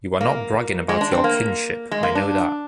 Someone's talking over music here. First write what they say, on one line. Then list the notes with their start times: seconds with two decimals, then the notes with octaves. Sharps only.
You are not bragging about your kinship, I know that...
0.21 A#3
0.89 G#3
1.01 D4
1.12 C4
1.24 A#3
1.91 G#3
2.03 A#3
2.15 D4